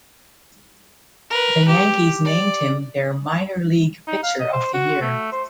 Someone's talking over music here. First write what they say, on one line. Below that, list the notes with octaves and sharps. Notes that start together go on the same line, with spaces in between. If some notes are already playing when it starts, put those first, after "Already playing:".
The Yankees named him their minor league pitcher of the year.
A#4 B4
G4
D5
D#4
F5
D#5
C5
F#4
A3
C5